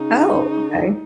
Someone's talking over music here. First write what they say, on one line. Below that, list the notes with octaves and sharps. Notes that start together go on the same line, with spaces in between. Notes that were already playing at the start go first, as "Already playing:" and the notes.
Oh, okay.
Already playing: C#3 D#4
D3
E3